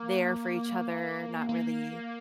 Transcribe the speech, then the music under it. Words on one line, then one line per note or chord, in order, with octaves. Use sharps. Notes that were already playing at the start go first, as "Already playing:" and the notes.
there for each other, not really
Already playing: A#3
A#3